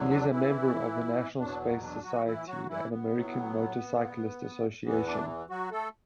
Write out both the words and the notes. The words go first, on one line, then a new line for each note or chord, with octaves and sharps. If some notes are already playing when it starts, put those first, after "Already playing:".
He is a member of the National Space Society and American Motorcyclist Association.
Already playing: E2 D3 F#3
D4
E3 E4
E2 B2 F#3 D4
B3
D4
F#3 F#4
E3 E4
F#3 F#4
E3 E4
B3
A2 F#3
E2 E3 B3
D4
F#3 F#4
A3 A4